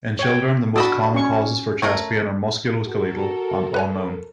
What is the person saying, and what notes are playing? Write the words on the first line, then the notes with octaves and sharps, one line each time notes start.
In children the most common causes for chest pain are musculoskeletal and unknown.
C#5 G5
D4 F#4 D#5 B5 E6
C#4 C#6
A3 A#4 C#5
F#4 A4 A#4
B4 C#5 G#5